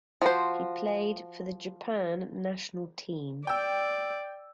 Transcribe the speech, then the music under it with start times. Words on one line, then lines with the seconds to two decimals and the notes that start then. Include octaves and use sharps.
He played for the Japan national team.
0.21 F3 F#4 C5
3.47 D5 G5 E6